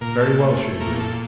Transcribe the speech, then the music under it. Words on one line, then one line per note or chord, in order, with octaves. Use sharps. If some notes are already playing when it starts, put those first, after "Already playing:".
"Very well," she agreed.
A#2 A#4
A4
A3
A#2 A#4
A4